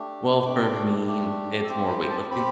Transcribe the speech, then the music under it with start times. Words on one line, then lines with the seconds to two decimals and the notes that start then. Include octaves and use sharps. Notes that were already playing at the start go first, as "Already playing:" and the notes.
Well, for me, it's more weightlifting.
Already playing: A3 D4 G4
0.45 A3 D4 G4 D6
1.07 A3 D4 G4
1.65 E6
1.69 C4 G4 D6
1.89 B5
2.02 G5
2.10 A5
2.31 C4 G4 B5